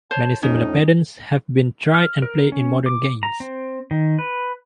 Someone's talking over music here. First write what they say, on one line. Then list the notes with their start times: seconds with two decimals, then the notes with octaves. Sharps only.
Many similar patterns have been tried and played in modern games.
0.11 C5 C#5 A5
0.43 F2 A2 C#4 D#4
1.94 F6
2.22 A#4
2.52 C#4
2.86 D6
3.23 A#5
3.40 C4
3.91 D#3
4.19 B4